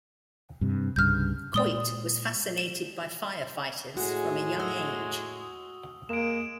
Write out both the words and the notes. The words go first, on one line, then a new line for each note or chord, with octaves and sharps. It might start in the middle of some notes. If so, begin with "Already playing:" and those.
Coit was fascinated by firefighters from a young age.
G2 C3
C2 G2 C#3 F6 G6
A#2 G#3 D5 D#6 G7
E7
A2 G#3 F#4 G#4
F#4 D#6 E6
G#3 A#3 D7 E7